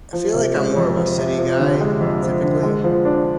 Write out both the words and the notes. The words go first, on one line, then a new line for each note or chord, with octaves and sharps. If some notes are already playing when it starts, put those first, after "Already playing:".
feel like I'm more of a city guy, typically,
F3
C3
G#3
F2
F3
C3
F3
D3
G#3
F2
F3
D3
G#3
F3
D4